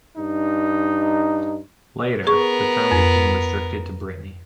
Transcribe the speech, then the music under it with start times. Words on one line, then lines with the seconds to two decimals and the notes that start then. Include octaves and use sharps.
Later, the term became restricted to Brittany.
0.17 G2 D#4
2.27 B3 G#4 A#4 C#6
2.91 F2